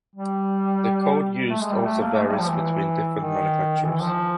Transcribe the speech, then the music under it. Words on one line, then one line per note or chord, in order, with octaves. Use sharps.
The code used also varies between different manufacturers.
G3
A3
G#3
G3
A3
A#3
A3
G#3
G3
F3
E3
D#3
D#3
E3
F3